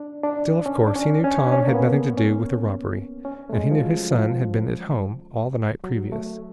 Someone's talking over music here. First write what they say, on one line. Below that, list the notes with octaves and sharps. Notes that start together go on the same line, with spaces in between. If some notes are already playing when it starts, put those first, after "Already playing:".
Still, of course, he knew Tom had nothing to do with the robbery, and he knew his son had been at home all the night previous.
Already playing: D4
D4
C#4
D4
C#4
C#4
D4
C#4
A#3
B3
C#4
C#4
A3
G#3
F3
F#3
F3
F#3
A3